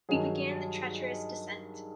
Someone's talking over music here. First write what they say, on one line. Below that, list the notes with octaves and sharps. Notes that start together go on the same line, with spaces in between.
We began the treacherous descent.
G2 D#3 F#3 G#4